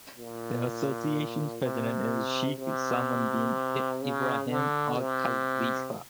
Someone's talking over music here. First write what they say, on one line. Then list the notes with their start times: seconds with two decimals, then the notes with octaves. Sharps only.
The Association's President is Sheikh Salman Bin Ibrahim Al-Khalifa.
0.17 A#2
1.62 C3
2.58 C3
4.02 C#3
4.50 D3
4.97 C3